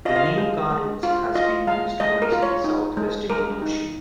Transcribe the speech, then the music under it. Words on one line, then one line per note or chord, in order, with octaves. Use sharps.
The name Carlos has been used once in the South-West Indian ocean.
F4 D#5
F5
D#5
G#3
G#3
F4
F4 D#5
G#3 F5
G#3 D#5
A#4
F4
C#5
D#4
G#3
G#3 A#4
D#4